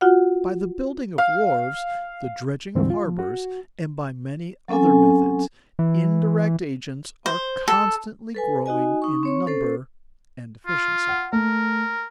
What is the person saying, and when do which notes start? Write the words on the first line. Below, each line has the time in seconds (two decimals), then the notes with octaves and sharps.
By the building of wharves, the dredging of harbors, and by many other methods, indirect agents are constantly growing in number and efficiency.
0.01 F4 F#4 F#5
1.18 F5
2.75 D2 G#2 D3 E3 G3 C4
2.90 F4
3.05 F3
3.19 F#4
4.68 F#3 C4 C#4 A4 G#5
5.79 E3
7.26 C5
7.68 A4
8.35 A4 B4 G#5
8.66 D#4 F#4 D#5 G#5
9.02 D#4 C#6
9.23 C4 C#5 C#6
9.46 C#4 A4 C5
10.67 F4
11.08 F#5
11.33 A3 A#4